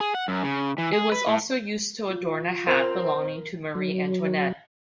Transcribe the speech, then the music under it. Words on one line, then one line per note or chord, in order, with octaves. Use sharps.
It was also used to adorn a hat belonging to Marie Antoinette.
G#4
F#5
F#2
C#3
E3
G#4
B4
A2
F4
C4 A#4 C5 C6 F7
F#3